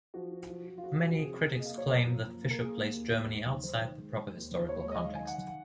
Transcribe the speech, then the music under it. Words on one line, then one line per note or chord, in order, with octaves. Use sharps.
Many critics claim that Fischer placed Germany outside the proper historical context.
F3 F#4
F3
F3
F3
F4
F3 F#4
F#4
F3
F#4
C3 G#4
C3
A#4
A#3 G#4
D#5
F5
A#3
C#5
F#2 A#4
F3
A#3
A#3
A#4
A#3 G#4
A#3
D#2
D#2
D#2
D#3
D#3 C5
D#3
G#3
D#3
D#2
D#3
C5
D#2 C#5
C#5
G#3
D#5
D#3 F5
G#5
D#3
F#5
D#3